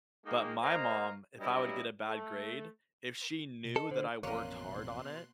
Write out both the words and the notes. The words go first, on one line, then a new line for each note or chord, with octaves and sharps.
But my mom, if I would get a bad grade if she knew that I worked hard on it,
D#3 G#3 A#3
A#3 C5 D#5 F5 A#5
G2 F#3 G3 E4 D#5
A3
B2
A4 D#5
D3 C5
A1 F2 B2 A#3 C#4 A#4 C6 F#6